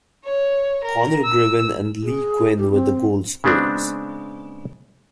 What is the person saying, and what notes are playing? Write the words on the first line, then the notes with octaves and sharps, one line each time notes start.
Conor Gribben and Lee Quinn were the goal scorers.
C#5
A#4
E6
G#4
G4
C4
C#3 G#3 B3 C4 D4